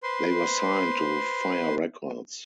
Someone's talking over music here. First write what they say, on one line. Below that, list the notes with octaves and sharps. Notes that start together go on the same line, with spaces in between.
They were signed to Fire Records.
B4 C5 C6